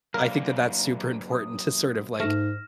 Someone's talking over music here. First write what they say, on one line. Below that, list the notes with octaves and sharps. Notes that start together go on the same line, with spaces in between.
I think that that's super important to sort of, like,
F#2 A#3 D4 A#4 F5
D#6
G#2 A3 F6 A#6 E7